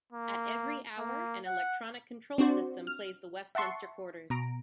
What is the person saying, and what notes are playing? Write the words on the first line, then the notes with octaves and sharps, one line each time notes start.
At every hour, an electronic control system plays the Westminster Quarters.
A#3
A#3
F#5
C4 D4 F#4 C5 D5
F6
E5 F#5 A5 C6 C#6
B2 A#5 D7